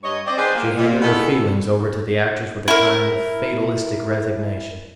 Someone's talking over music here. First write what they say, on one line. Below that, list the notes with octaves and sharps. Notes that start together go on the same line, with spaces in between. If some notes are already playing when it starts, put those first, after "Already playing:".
She handed her feelings over to the actors with a kind of fatalistic resignation.
G2 C#5 D#5
C4 D5 D#5
D#3 G#4 B4 C5
A#3
A#2
A3 B3 D#4 E4 G#4 A4
E4 A#4